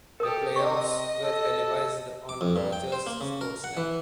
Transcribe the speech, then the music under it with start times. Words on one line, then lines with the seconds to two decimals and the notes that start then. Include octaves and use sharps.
The playoffs were televised on Rogers Sportsnet.
0.20 G4 A4 A#4 D#6
0.56 C3 D#5 C#6
1.24 A4
2.29 D6
2.41 F2
2.56 G2
2.73 G5
2.92 C5
3.07 A#3
3.21 C#3
3.41 A#4
3.64 F#5
3.77 E3